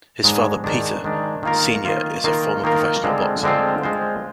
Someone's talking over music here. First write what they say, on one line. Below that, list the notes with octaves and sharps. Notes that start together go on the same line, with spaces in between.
His father Peter, Senior is a former professional boxer.
G#2 D#3 G#3 D4
G#2 D#3 G#3 D4
G#2 D#3 G#3 D4
D#3 A#3 F4 A#4
D#3 A#3 F4 A#4
D#3 A#3 F4 A#4
D#3 A#3 F4 A#4
D3 G#3 C4 F4 C5
D3 G#3 C4 F4 C5
D3 G#3 C4 F4 C5